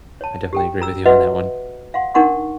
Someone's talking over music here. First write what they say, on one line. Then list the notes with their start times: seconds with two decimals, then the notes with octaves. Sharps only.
I definitely agree with you on that one.
0.21 C#5 A5
0.53 G4 A4 G5
0.80 A4 A#5 E6
1.05 F#4 B4 D#5 E5 F#5
1.94 F5 F#5 C6
2.14 D4 D#4 A#4 F#5 C6 C#6